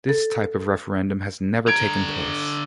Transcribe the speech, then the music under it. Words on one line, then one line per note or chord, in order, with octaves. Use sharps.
This type of referendum has never taken place.
A4
D3 A#5 G#6 D7